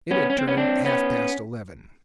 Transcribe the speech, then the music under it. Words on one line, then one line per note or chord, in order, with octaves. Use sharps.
It had turned half-past eleven.
B3 C#4
C#4
C4
B3 C#4
C4 D4
B3 C#4